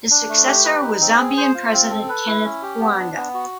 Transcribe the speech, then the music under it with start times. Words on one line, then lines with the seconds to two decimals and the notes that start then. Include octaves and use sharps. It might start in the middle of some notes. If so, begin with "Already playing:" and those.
His successor was Zambian President Kenneth Kaunda.
0.11 D4
0.29 A3
0.47 G4
0.64 B4
0.83 D#4
1.01 C4
1.19 G#4
1.37 C5
1.54 F4
1.73 C4
1.90 A4
2.09 B4
2.26 E4
2.45 C#4
2.62 G4
2.80 B3
2.99 D4
3.16 B3
3.34 F#4